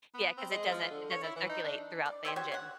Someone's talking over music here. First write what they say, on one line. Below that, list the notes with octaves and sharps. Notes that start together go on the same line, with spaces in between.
Yeah, 'cause it doesn't it doesn't circulate throughout the engine.
B3
C4
G#3
F3
D3
C#5
E4
E3
D#4
D4
D5
G4 C5 C#5 E5
F#4 G4 C5 C#5
C#5 F#5